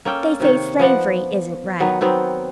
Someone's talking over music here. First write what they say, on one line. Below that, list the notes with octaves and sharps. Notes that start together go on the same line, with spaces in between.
"They say slavery isn't right."
A#3 C#4 A4 G5
C3 D#3 C#5
F3 B3 D5 F#5
D#3 F#3 B3 B4
D#3 F#3 B3 C4